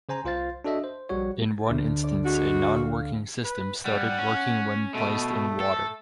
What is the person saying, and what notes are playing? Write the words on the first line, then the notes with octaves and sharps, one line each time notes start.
In one instance a non-working system started working when placed in water.
C#3 C5 G#5 A#5
C2 F4 C5 F5 A6
D4 F#4 A4 D#5 E5
C5
A#1 G3 F#4 C#5
D2 G6
D5
G#3 D4 F#4
F5
B4
G3 F#5
C#4
B2 A3
A4